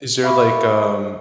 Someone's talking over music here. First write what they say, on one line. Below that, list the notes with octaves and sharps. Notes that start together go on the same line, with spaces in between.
is there like, um,
E5 F5 B5 C#6 D6